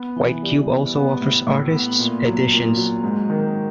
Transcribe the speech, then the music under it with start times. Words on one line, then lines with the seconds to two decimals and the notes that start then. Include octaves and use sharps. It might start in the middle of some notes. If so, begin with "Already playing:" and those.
White Cube also offers artists' editions.
Already playing: B3
0.16 E3
0.43 G3
0.69 B3
0.95 B3
1.21 A2
1.47 A2
1.73 B3
1.99 A#2
2.25 F#3
2.52 A#2
2.77 F#3
3.03 G#2
3.30 D#3